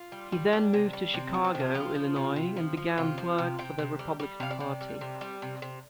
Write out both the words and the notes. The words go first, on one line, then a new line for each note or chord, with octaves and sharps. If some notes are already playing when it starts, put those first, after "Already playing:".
He then moved to Chicago, Illinois and began to work for the Republican Party.
Already playing: F4
G3
G3
G3 D4
C3
G3
C3 C4
F3
C4
C3
D4
F3 F4
F3
C3
C3
F3
F3
C3 F4
F3
C3
C3 G5
C3
G3
G3
C3 F5
D5
C3
G3
C3
G3
C3
C3